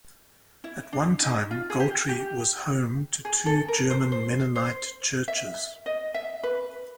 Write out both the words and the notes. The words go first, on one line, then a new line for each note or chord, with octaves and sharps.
At one time, Goltry was home to two German Mennonite churches.
E4
D4
D#4
F4
G#4
G4
G4
G#4
A4
A#4
C5
C5
C5
E5
D#5
E5
B4